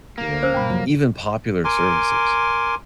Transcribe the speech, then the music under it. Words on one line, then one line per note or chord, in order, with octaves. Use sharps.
you know, even popular services.
A#3
A#1 C#4 C5 E6
G2 B2 G5 B5
C2 F2 F3 F#3
A#4 G#5 C6 D6